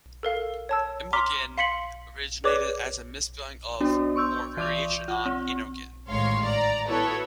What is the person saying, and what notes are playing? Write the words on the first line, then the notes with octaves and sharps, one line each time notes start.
Imogen originated as a misspelling of, or variation on, Innogen.
A4 A#4 F5
C#5 A5 E6
A#5 C6 D6 F6 B6
F5 C6 B6 C#7 F#7
G#4 B4 C#5 D5 D6
B3 D4 F#4 D5
C6 C#6 E6 G6
E3 D5 C#6 D6 G6 F7
F4 F#5
C4
A1 G#2 D#3 C#5 F5 C6
D5 A#5
B3 E4 F#4 A4 B4 C#5